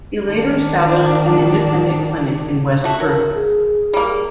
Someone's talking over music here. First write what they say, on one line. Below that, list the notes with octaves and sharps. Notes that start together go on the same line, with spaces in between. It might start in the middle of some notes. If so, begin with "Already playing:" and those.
He later established an independent clinic in West Perth.
D#3 D4
A3 F#4
F#3 A#4
G#4
G3 A#3